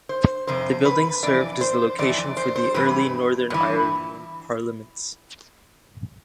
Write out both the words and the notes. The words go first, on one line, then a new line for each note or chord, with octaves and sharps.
The building served as the location for the early Northern Ireland Parliaments.
C5
F2 C3 C5
B4
F2 E3 D5
C5
F2 E3 D5
D5
C5
C5
G2 E3 B4
G2 E3